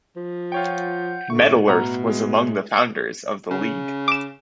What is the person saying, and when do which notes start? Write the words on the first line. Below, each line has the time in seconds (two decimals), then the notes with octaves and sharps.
Metalurh was among the founders of the League.
0.16 F3
0.52 F4 C#5 F#5 G5 G6
1.30 A2 D3 A3 C#6
1.68 B2 F#5 A#5 F6
2.07 G#3
3.51 C#3
4.08 D6 E7